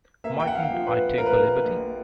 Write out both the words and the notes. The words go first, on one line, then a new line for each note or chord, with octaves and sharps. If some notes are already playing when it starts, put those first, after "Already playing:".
Mightn't I take the liberty?
A#3 E5
G5
F#5
F5
F3
B4
A#3 A#4
B4
A#4
A#1